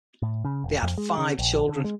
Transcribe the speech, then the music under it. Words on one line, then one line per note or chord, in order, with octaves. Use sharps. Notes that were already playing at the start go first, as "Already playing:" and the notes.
They had five children.
A2
C#3
E1
F2
G#3
C#3
A#1
D3
G#3